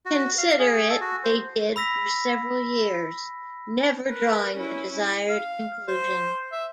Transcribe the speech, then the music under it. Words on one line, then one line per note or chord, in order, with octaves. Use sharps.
Consider it they did for several years, never drawing the desired conclusion.
F#4
F5
G#4
A4
F#4
C5
B5 E6 A#6 B6
A#4 B4
C#4 E4
F5
C5
E5